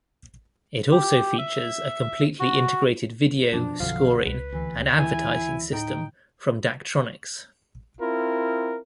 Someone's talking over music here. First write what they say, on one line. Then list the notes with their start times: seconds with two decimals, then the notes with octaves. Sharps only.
It also features a completely integrated video, scoring and advertising system from Daktronics.
0.91 G4
1.38 E5
2.40 F#4
3.53 F#2 B2 F3 D4
3.80 B1 F#2 B2 D3 F3 F5
4.26 C#2 B4
4.52 D2 E3
4.98 E3 E4 G#5
5.73 A2 D#4 G5
8.00 C4 E4 F4 A#4